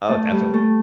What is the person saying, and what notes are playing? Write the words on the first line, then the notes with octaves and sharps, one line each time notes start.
Oh, definitely.
A3
G3
A3